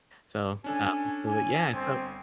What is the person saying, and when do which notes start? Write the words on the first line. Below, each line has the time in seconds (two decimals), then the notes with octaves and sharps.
So, uh well, yeah, so
0.64 C#4 D4 A4 G#5
1.26 G#5
1.73 G1 C4